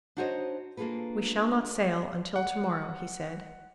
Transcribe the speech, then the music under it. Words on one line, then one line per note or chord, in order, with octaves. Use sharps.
"We shall not sail until to-morrow," he said.
D4 D#4 F#4 C5 C#5 D#5
A#3 D4 F4 G#4 A4 B4
F#5